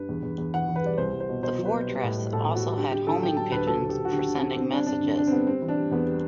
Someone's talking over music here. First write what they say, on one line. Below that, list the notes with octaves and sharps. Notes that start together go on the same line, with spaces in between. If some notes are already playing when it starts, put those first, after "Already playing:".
The fortress also had homing pigeons for sending messages.
Already playing: G2 B4
E2
E2
E2
E3 F#5
E3
B4
G3 D5
C2 C5
C2
C5
B2
B2 C5
F#3
B4
B2
G3
A2
G3
A2 A4
A2
F#4
G3
D3 G4
D3 G4
D3 A4
F#3 G5
F#3 A5
D2 B4
F#3 A4
D2
G4
D2
F#4
D3 G4
D3
C4
D3
D3 C4
G3 D4
G2 D4
D3
D3 D4
C4
G3 B3
G3 C4
E3
D4
G3
E2 B3
G3